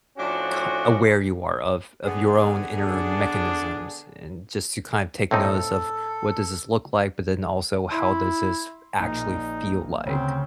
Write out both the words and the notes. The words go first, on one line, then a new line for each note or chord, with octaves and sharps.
c aware you are of of your own inner mechanisms and just to kind of take notice of what does this look like, but then also how does this actually feel like,
A2 F3 C#4 D4 F#4
D3 B3 G#4
D4
A2 C4 D#4 A4
E4 C6
A#1 A#2 D#4
D2 C#3 C4